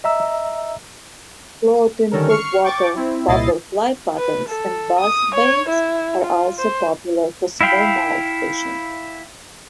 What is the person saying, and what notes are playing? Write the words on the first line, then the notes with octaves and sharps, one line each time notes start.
Floating topwater popper fly patterns and buzz baits are also popular for smallmouth fishing.
D#5 E5 A#5 E6
D3 D#3 G3 C#4 A4 A#4
C#6 F6 C7 C#7
G5 C#6 D6 A6
C4 E4
C2 A#2 E4 D#5 A6 C7
B4
A4
D#6
C#5
E4
F4
C5
E4 E5 F5 G5 B5